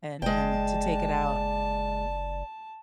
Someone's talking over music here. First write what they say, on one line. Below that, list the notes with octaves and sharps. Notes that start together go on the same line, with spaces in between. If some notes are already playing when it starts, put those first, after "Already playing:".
and and to take it out,
F#1 G#3 D5 G5 A5